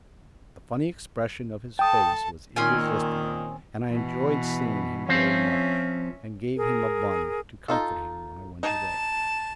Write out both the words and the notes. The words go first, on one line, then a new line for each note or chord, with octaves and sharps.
The funny expression of his face was irresistible, and I enjoyed seeing him very much, and gave him a bun to comfort him when I went away.
A4 G5 A5 D#6
A#2 D#3 C4 C#4 G#5
B2 E3
F3 C4 C#4 E5
G#4 A#4
D#4 F4 A4
D#4 A5